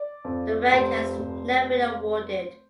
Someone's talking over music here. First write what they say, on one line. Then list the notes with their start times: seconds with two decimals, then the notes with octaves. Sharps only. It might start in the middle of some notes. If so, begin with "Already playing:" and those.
The rank has never been awarded.
Already playing: D5
0.25 F2
0.72 F1 C5
1.18 F1